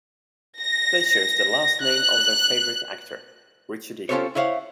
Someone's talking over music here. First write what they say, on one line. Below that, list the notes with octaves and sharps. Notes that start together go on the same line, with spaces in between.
They chose the last name of their favorite actor, Richard Egan.
A#6
F#6
C#4 F4 G4 A4 C5 C#5
E4 C5 C#5 F5 F#5